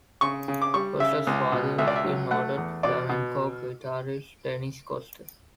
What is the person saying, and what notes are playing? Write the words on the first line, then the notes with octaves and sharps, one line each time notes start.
Koster's father is noted flamenco guitarist, Dennis Koster.
C#3 C#6
C#3
D6
G3 C#6
C#3 E5
C#2
B2
C#2 E5
D5
E5
F#3
A3 F#5
E2
B2 D5
B2